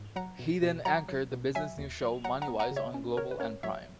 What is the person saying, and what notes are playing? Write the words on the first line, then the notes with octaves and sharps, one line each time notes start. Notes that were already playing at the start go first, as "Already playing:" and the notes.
He then anchored the business news show "MoneyWise" on Global and Prime.
Already playing: G#2
F#3 F#5 A#5
B2
B2
F#3 F#5 A#5
F#3
B2
F#3 E5 G#5
D#2
F#3
F#3 F#5 A#5
F#5 A#5
B3
F#5 A#5
C#3
C#5 E5
C#4
C#3 A#4 C#5
B4
C#4 A#4 C#5
F#3 C#5 E5